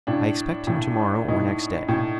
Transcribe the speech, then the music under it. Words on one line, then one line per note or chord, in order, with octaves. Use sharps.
I expect him to-morrow or next day.
A2 D4
A2
A2 D#4
A2